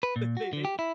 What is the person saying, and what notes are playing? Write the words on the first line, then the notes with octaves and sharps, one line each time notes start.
they, they,
B4
A#2
F#4
D3
G4
E4